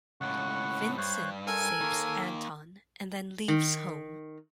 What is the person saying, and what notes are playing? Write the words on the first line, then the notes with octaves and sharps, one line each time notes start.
Vincent saves Anton and then leaves home.
C#2 A2 F#5 C#6
G2 C5 C#5 F#6
A4 A#4 G#5
D#3 A#3
D#3